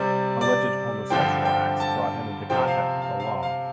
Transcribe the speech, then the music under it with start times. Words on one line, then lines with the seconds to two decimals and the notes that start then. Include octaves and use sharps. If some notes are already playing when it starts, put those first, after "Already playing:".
Alleged homosexual acts brought him into contact with the law.
Already playing: C3 G3 C4 D5
0.41 D5
1.10 G2 D3 F3 C4 G5
1.45 G5
1.80 A5
2.50 C3 F3 C4 G5
2.68 F5
3.02 F5
3.20 F5
3.43 F5